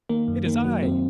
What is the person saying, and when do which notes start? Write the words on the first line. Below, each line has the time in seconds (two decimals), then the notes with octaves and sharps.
"It is I."
0.09 D#3 A#3
0.28 F#2
0.46 D#3 A#3
0.65 F#3
0.82 F#2 C4